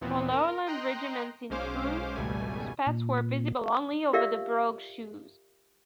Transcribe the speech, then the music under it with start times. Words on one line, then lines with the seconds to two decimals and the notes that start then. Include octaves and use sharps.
For Lowland regiments in trews, spats were visible only over the brogue shoes.
0.01 D#2 A#2 E3 B3 C4
0.32 A#4
0.67 D#5 G5 A#5 C6 F#6
1.50 B1 G#3 C#4 C5 F5 D6
2.16 G#1 C#2 B2 G3 A3 G#5
2.87 A#2
4.13 F4 G4 A#4 D5 E5 F5